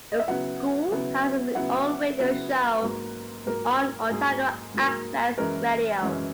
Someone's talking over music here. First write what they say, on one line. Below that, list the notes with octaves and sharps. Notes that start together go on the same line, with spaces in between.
The school has its own radio show on Otago Access Radio.
D#5
E5
C#3 F#3 B3 E4 F#5
C#3 F#3 B3 E4
C#3 F#3 B3 E4 F#5
C#3 F#3 B3 E4 B4
G#2 F#3 A#3
G#2 F#3 A#3 A#4
G#2 F#3 A#3 G#4
G#2 F#3 A#3
F#2 E3 G#3 C#4 A#4
F#2 E3 G#3 C#4